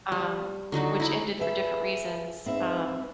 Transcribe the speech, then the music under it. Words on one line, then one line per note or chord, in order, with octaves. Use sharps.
um- which ended for different reasons- um
G3
D3 F#3 D#4 F#4
D#4 E4
G#4 B4 E5
G#2 C4 B4 E5